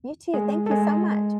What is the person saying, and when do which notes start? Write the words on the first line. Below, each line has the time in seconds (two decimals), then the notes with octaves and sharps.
You too. Thank you so much.
0.34 G#3 G#4
0.66 A4
0.71 G#3 G#4